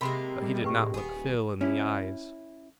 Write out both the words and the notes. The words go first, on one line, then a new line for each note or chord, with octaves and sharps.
But he did not look Phil in the eyes.
C3 G#3 A#3 G4 A#4 B5 C6
G3
A2 B4 G5 C#6
D#1 B3 G#4
C#4 E4